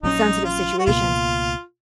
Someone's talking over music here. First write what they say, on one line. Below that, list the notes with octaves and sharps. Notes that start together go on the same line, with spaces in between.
sensitive situations.
A#1 A#2 F#3 C#4 D#4
F4
F#4
C#2 B2 A#3 F4